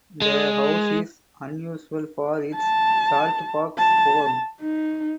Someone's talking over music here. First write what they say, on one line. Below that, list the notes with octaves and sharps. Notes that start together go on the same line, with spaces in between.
The house is unusual for its saltbox form.
G#3
A5
A5
D#4